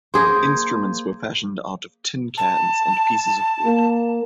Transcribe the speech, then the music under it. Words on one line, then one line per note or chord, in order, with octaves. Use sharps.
Instruments were fashioned out of tin cans and pieces of wood.
A#3 G#4 C5
A5
A#3